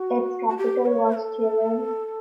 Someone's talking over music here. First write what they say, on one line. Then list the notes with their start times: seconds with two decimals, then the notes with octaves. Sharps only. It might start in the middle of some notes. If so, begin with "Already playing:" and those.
Its capital was Turin.
Already playing: F#4
0.49 F#4
0.57 G4
0.86 C#5
1.16 A4